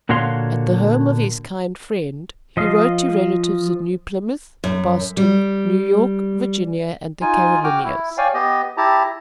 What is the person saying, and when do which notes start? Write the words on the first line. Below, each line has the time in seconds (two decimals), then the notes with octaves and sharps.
At the home of his kind friend, he wrote to relatives at New Plymouth, Boston, New York, Virginia and the Carolinias.
0.09 A#2 D3 F#4 C#5 F5 C6
2.57 F3 D#5 F5
4.64 F#2
5.17 G3
7.21 D#4 F4 G#5
7.64 F#4 G5 D6 F6
7.84 E4
8.18 C#5 D5 F5 G5 G#5
8.34 B3 G4 D#5
8.77 E4 G4 A5 A#5